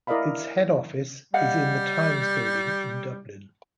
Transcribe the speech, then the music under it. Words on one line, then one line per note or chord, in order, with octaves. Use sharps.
Its head office is in The Times Building in Dublin.
E4 A#4 D5 D#5 F5 B5
G3 D#5 F5 F#5